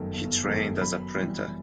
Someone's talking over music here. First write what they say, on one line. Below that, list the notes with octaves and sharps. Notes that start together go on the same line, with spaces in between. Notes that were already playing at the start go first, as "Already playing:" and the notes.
He trained as a printer.
Already playing: G1 F#2 D#3 A3
G1
F#2 D#3 A3
F#2 B5
E3 G3